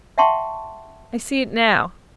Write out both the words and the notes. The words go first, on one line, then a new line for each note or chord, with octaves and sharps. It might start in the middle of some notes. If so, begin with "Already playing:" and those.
I see it now.
E5 F#5 G5 A5 C6 C#6